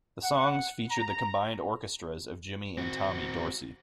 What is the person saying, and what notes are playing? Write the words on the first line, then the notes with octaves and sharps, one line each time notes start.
The songs featured the combined orchestras of Jimmy and Tommy Dorsey.
F#5
A#5
C4 F#4